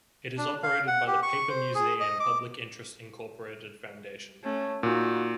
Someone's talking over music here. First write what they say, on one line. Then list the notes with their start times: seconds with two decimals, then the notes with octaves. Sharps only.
It is operated by the Paper Museum Public Interest Incorporated Foundation.
0.38 D4
0.63 F5
0.87 F#5
1.07 G4
1.23 C#6
1.49 C5
1.75 G#4
2.00 D#5
2.20 D6
4.43 A3 C#4
4.83 A#2 D#4 F#4